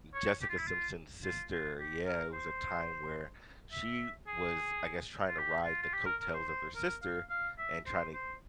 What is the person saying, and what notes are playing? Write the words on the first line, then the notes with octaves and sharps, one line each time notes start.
Jessica Simpson's sister, yeah, it was a time where she was, I guess, trying to ride the coattails of her sister and trying to,
C#5
G4
F4
E4
F4
F4
F4
G4
A#4
C5
E5
G#4
F4
G4
F4
F4
G4
A#4
A#4
C5
C5
A#4
F5
F5
E5
C5
C5